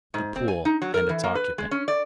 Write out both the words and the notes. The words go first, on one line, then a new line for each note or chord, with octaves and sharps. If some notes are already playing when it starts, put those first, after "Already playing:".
The pool--and its occupant.
G#2
C4
G#5
D#4
F#3
A#4
E3
A#3
B4
G#3
C#4
D5